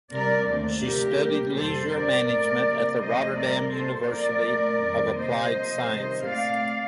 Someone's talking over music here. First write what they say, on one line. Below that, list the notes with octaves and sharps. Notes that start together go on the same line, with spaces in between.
She studied leisure management at the Rotterdam University of Applied Sciences.
C3 G3 C4 A#4 D5
D#2 D3 A3 C4
D2 C3 F3 C4 G4 A#4
A#2 G3 A#3
F2 C3 G3 A4 C5
G2 F3 C4 A#4 D5
A2 A3 C4
C3 F3 A#3
C3 F3 A3 C4 C5 D#5
A2 G3 C4 A#4 D5
C3 G3 A#3 A4 C5
A#2 F3 C4 A#4 D5
A#2 A3 C4
F2 D#3 G3 C4
C3 G3 A#3 C5 D#5
C3 F3 A#3
C3 D#3 G3
A#2 A3 C4 D5 F5